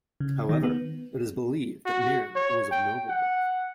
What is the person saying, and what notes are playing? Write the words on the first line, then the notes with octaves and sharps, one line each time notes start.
However, it is believed that Mirin was of noble birth.
C#3
D#3
B3
F#4
C#5
G5
F#5